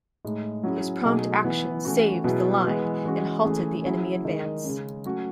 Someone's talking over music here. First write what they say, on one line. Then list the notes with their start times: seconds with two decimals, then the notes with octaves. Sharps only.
His prompt action saved the line and halted the enemy advance.
0.25 A2 G#3 D#4
0.63 F#3 C#4 E4 G#4
1.04 B2 F#3 A3 D#4 G#4
1.44 E3 B3 E4
1.85 E3 A3 C#4 F#4
2.24 B2 F#3 B3 E4 G#4
2.64 E3 G#3 B3 E4
3.05 E3 G#3 C#4 F#4
3.45 E3 A3 C#4 G#4
3.85 F#3 C#4 E4 G#4
4.25 D#3 G#3 D#4 G#4
4.64 C#3 G#3 C#4
5.05 F#3 A3 C#4 F#4